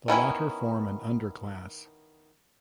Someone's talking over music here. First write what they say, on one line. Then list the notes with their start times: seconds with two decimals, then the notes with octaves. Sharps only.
The latter form an underclass.
0.08 D#3 B3 C#4 E4